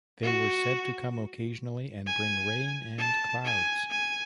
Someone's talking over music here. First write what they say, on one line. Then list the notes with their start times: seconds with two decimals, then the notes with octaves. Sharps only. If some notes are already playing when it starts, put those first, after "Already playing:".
They were said to come occasionally and bring rain and clouds.
0.23 F#4
2.07 G#5
2.99 A5
3.45 G#5
3.91 G#5